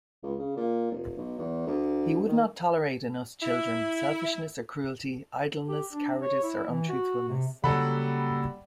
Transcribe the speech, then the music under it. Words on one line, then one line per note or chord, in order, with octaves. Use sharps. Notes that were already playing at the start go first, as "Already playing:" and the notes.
He would not tolerate in us children selfishness or cruelty, idleness, cowardice, or untruthfulness.
C#2
C#3
A#2
F1
B1
E2
D2
D#3
E4
G4
D4
C#5
E4
E3
F#4
C3
C#3 F#3 G3 A#3 A4 F#5 B5